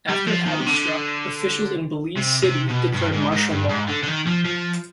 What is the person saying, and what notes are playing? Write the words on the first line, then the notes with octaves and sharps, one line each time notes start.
After Hattie struck, officials in Belize City declared martial law.
G3
F3
D#3
C3
D3
C3
C3
B2
G2
G#2
G#2
G2
G#2
D3
D3
D#3
F3
F3